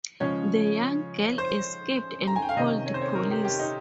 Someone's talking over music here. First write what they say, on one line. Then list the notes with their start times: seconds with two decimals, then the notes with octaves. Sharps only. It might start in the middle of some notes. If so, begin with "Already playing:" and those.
The young girl escaped and called police.
0.20 C#3 F3 G#3 C#4 C#5
1.38 C5
2.27 A#5
2.36 G#5
2.42 G5
2.49 F5
2.56 C3 D#3 A#3 C#4 D#5
2.86 C#5
2.94 C5
3.01 C#5
3.15 A#4
3.31 G4
3.45 G4
3.59 D#4